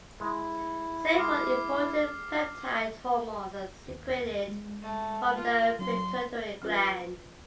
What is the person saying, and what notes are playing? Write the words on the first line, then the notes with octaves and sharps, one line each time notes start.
Several important peptide hormones are secreted from the pituitary gland.
G#3 E4
G#3 D6 F6 C7
D#2
G#3
A3
F4
F#3 C#4 C6
F3 C#4 F4 B4